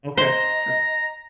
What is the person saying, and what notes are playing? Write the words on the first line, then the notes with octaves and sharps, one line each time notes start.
Okay, sure.
C5 D#5 A#5